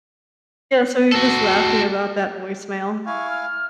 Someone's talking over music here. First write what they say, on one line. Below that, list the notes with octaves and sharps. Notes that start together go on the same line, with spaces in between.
Yeah, so we're just laughing about that voicemail.
F#4 A4
E4 F5 G#5 C#6
F6